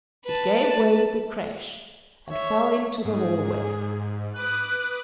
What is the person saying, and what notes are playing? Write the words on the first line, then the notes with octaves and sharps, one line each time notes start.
It gave way with a crash, and fell into the hall way.
B4 A5
C#5 E5
G#2 G#4
B4 D6 D#6 F#6